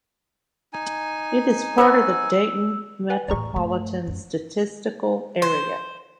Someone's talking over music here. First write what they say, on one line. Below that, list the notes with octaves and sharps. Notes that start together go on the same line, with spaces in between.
It is part of the Dayton Metropolitan Statistical Area.
D#4 G#5
A#4 C5 F#5 C#6 E6
B4 F#5 G#5
E2 A2 D5 A#5 C#6
G2 A3
F#2 G#3
C5